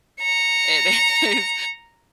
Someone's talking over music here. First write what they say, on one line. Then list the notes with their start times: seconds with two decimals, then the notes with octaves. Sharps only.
it is
0.21 A#5 C#7